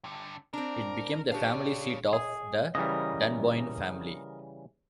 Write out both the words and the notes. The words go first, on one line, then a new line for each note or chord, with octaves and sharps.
It became the family seat of the Dunboyne family.
G2 D3
C4 D4 A#4
D4 G4 C#5 F5
G#4
C#3 E3 G3 A#4 D#5